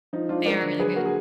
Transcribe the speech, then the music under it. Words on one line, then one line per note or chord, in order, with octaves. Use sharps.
They are really good.
F3 D#4
F3 D4 F4
G#3 A#4 D5
D3
F#3 G#4 B4
A#3 F#4 A#4
G#4